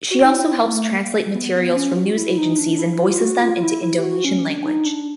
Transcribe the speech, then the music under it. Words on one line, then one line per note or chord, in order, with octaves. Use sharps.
She also helps translate materials from news agencies and voices them into Indonesian language.
F#4
D#4
E4
A#3
A3
A#3
B3
B3
C#4
F4
F#4
E4
D#4
D4
E4
F4
F#4
F4
F4
E4
E4
G4
F#4
C#4
D4
D#4
D4